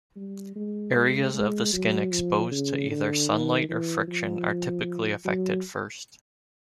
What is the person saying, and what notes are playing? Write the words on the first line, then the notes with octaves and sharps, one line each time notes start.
Areas of the skin exposed to either sunlight or friction are typically affected first.
G3
G#3
G#3
G#3
F#3
F3
C#3
D3
D#3
E3
F3
F#3